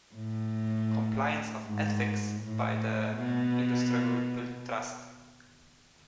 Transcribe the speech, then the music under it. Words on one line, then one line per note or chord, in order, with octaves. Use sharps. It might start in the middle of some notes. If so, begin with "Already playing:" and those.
Compliance of Ethics by the industry will build trust.
A2
G#2
A2
B2